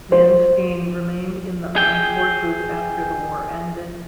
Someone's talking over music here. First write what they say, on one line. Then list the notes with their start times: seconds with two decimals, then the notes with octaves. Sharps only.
Manstein remained in the armed forces after the war ended.
0.12 C5
1.76 G#4 G5